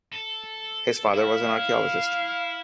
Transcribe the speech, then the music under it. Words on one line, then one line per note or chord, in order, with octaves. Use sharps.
His father was an archaeologist.
A4
E4 F5